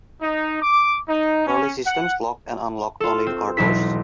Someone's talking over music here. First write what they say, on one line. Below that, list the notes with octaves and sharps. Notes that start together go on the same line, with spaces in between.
Early systems locked and unlocked only the car doors.
D#4
D6
D#4
C#4
F#5
F4 A4
C4
E1 B1 E4 B6